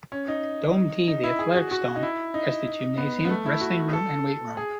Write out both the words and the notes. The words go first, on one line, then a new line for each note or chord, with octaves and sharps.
Dome D, the athletics dome, has the gymnasium, wrestling room and weight room.
C#4
D#4
D#4
E4
G#4
F#4
F#4
D#4
E4
D#4
B3
B3
A3
E4
F#4
A4
G#4